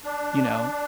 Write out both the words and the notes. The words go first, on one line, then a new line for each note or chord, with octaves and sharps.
you know,
D4